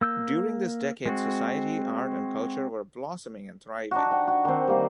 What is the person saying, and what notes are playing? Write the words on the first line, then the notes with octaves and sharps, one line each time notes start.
During this decade society, art and culture were blossoming and thriving.
A#3 E6 G6
G#3 C4 F#4
D4 D#4 F#4
F#5 G5
F#4
D#3 C4
G3 A#3 C4